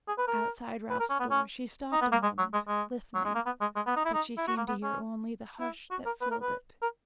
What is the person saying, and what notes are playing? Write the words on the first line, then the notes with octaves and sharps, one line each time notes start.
Outside Ralph's door she stopped a moment, listening, but she seemed to hear only the hush that filled it.
G#4
B4
A#4
B4
A#4
C#4
B3
C#4
D#4
B3
A#3
G#3
F#3
G#3
G#3
F#3
G#3
A#3
B3
G#3
G#3
B3
D#4
E4
D#4
E4
F#4
A#3
B3
C#4
E4
F#4
A#4
B4
A#4
B4
A#4